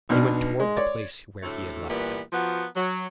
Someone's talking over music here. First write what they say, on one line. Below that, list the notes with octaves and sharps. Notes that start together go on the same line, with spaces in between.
He went toward the place where he had left him.
B1 B2 B3 D4 F6
G#3
C#5 D5
D2 A2 A3
A#2 E3 G3 B3
F3 B3 F#4 A#4
F#3